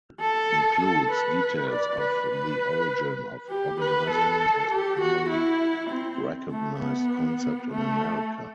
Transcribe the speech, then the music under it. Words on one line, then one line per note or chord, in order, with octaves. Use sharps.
Includes details of the origin of Organizing as a formally recognized concept in America.
A4
A4
B4
D5
B4
B4
G4
B4
A4
G4
F#4
E4
C4
A3
B3
A3